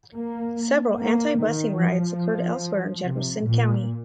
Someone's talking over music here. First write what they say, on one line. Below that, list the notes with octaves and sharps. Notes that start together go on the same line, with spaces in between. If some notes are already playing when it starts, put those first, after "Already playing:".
Several anti-busing riots occurred elsewhere in Jefferson County.
A#3
A#3
D#3
F3
C3
A#2